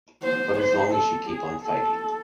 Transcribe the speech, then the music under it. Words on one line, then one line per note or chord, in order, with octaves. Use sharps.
But as long as you keep on fighting.
C5
C5
A4
G#4
A4